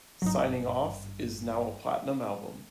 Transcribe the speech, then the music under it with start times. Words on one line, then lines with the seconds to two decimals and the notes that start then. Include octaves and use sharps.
"Signing Off" is now a Platinum album.
0.22 G#1 G2 F#3 D#4